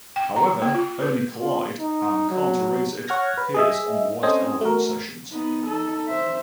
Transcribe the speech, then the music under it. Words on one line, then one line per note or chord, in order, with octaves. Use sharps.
However, only "Collide" and "Can't Erase It" appears on "The White Elephant Sessions".
G5
A#5
A#3
F4
B4
F4
D#4
F#3
C#5 F#5 F6 G#6 A#6
B4
G#4 D#5 E5
C4 C#4 A4 C5 D#5 G#5
A3 F#4 A#4
B3 D#4
D#4 A4
C5 E5